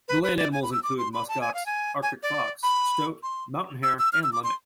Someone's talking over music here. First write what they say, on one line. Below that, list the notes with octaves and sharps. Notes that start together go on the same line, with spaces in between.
The land animals include muskox, Arctic fox, stoat, mountain hare and lemming.
B4
B4
D5
G#5
B5
E6
D6
C6
B5
A5
G#5
F5
G#5
G#5
D5
B5
C6
E6
E6
F6
E6
D6
C6